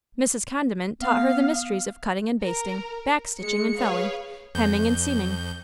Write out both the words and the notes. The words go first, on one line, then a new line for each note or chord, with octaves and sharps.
Mrs. Condiment taught her the mysteries of cutting and basting, back-stitching and felling, hemming and seaming.
B3 F5
A#4
G#3 C#7
G#4 B4 C#5 F5
F2 G6